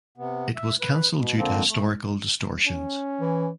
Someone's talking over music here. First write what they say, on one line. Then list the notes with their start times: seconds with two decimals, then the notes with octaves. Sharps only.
It was canceled due to historical distortions.
0.18 C3 B3
0.56 E5
0.80 B4
1.16 B2
1.37 F2 D3 F3 A#3 C4
1.68 A3
2.67 C#4
3.21 E3